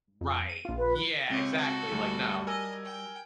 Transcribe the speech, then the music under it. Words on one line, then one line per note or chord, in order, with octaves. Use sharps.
right, yeah, exactly, like, "No."
F2
D#7
A#1 F4
B4
C#2 C4 G4 C#5
F#4 A4
D2 G3 A3
A#4 D#5 G#5 E6
G5